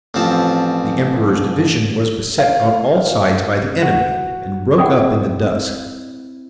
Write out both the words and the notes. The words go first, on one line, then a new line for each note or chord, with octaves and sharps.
The Emperor's division was beset on all sides by the enemy, and broke up in the dusk.
A1 F3 C4 A5
F5
F#4 F#5
C4 E4 F#5 G5 D#6